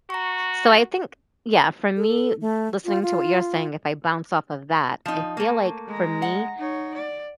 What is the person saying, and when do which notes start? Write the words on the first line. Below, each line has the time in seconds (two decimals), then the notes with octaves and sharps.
So I think yeah, for me, listening to what you're saying, if I bounce off of that, I feel, like, for me,
0.10 F#4 A#5 C#6
1.97 A4
2.41 A3
2.85 F4
3.03 F4
5.06 F3 D#4
5.37 A3 A#3
5.87 G#3 A#5
6.22 F#5
6.58 D#4 C#5
6.95 D5